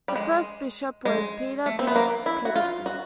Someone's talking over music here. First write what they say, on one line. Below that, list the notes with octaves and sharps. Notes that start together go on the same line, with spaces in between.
The first bishop was Peter B. Peterson.
G3
G#3
G#3
A3
C4
B3
A#3
E4
F#4
F4
F#4